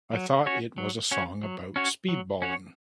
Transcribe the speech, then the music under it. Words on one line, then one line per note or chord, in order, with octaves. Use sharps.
I thought it was a song about speedballing.
F#3
C#4 F#4 C#5
F#3
C#4 F#4 C#5
F#3
C#4 F#4 C#5
F#3
C#4 F#4 C#5